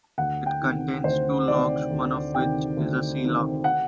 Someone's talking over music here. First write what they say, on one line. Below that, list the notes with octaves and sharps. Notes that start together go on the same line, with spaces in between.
It contains two locks one of which is a sea lock.
D2 F#5
G5
C3 D#3
D2 C5
C3 D#3 D5
D2
C3 D#3 G5
D2
C3 D#3
F#5